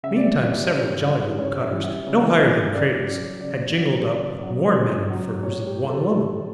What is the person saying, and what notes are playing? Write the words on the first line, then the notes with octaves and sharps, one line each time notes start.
Meantime several jolly little cutters, no higher than cradles, had jingled up with more men in furs and one woman.
C#3 E5
D5
E5
E3 G3
E5
D5
C#5
C#3 D5
E3 G3
C#3 C#5
E5
E3 G3
E5
C#3
E3 G3
C#3 D5
F#3
C#3 D5
F#3
C#3 D5
F#3
C#3
F#3
A2 C#5
G4
F#3
A4
A2 A4